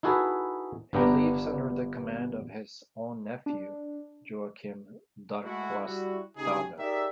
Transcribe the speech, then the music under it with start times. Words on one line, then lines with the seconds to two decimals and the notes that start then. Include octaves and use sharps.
He leaves under the command of his own nephew, Joachim Darquistade.
0.03 D#4 E4 F#4 G#4 A4 B4
0.93 G1 G2 B3 D4 G5 A#5
3.46 D4
5.44 G#3 A3 E4 F#4
5.83 G3 E4 F#4
6.37 D2 C#3 C#4 D#4 G4 G#4
6.78 D#4 G4 G#4 A#4 D5 E5